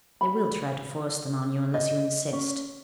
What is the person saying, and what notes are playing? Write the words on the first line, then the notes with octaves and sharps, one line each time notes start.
They will try to force them on you unless you insist.
B5
D#5
C#4